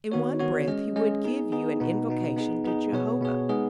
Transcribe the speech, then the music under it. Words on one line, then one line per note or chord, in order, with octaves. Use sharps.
In one breath he would give you an invocation to Jehovah.
D#3 B3 F#4 C#5
D#3 B3 F#4 C#5
G#3 C#4 G#4 D#5
G#3 C#4 G#4 D#5
B3 D#4 G#4
B3 D#4 G#4
B2 B3 D#4
B2 B3 D#4
B3 D#4 G#4
B3 D#4 G#4
B2 B3 G#4 C#5
B2 B3 G#4 C#5
G#3 B3 D#4 G#4 D#5